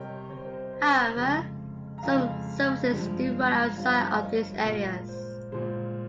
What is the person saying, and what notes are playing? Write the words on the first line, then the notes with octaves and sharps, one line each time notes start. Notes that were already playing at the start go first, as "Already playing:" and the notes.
However, some services do run outside of these areas.
Already playing: C3 G3 A#4 C#5 D#5 G5
C3 G3 C#5
C5
A#4
C5
C5
F2 C#3 G#3
A#5
F2 C#3 G#3 F5 G#5
G2 F3 G#3
G2 F3 G#3 C#5 F5
F5
D#5
A#4 C#5
A#2 G#3 A#4
C5
A#2 G#3 C5